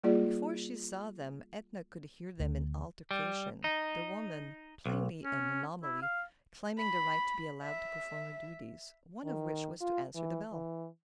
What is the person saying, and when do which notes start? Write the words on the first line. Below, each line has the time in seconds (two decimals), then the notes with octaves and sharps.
Before she saw them Edna could hear them in altercation, the woman--plainly an anomaly--claiming the right to be allowed to perform her duties, one of which was to answer the bell.
0.04 G3 A#3 F4 G#4 D5
2.40 D2
3.11 G3
3.64 D#4
4.86 B1
5.24 C#4
5.83 E4
6.02 F5
6.78 B5
7.63 E5
9.25 D#3
9.80 F4
10.15 E3
10.52 E3